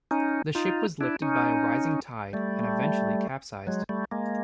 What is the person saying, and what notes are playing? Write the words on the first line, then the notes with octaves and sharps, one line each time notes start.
The ship was lifted by a rising tide and eventually capsized.
C#4 D#4
D#4 F4
D4 E4
C#4 D#4
G3 A3
F#3 G#3
G3 A3
G#3 A#3